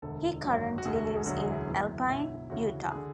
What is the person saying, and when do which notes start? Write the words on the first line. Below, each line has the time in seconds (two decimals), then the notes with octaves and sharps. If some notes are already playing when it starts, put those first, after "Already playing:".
He currently lives in Alpine, Utah.
0.02 E1 D2 D3 A4
0.44 G#1 F#2 D3 F#3 F#4
0.78 F#4
0.85 E1 D2 D3 G#4
0.96 F#4
1.06 A4
1.16 G#4
1.26 E1 D2 D3 F#3 F#4
1.37 G#4
1.47 E4
1.57 C#4
1.68 F#1 F#2 E3 B3
2.09 B1 B2 F#3 E4
2.50 D2 C#3 E3 F#4
2.91 D3 G#4